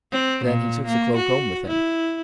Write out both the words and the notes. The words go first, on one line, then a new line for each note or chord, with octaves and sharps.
Then he took the cloak home with him.
C4
A#2
A#3
F#4
E4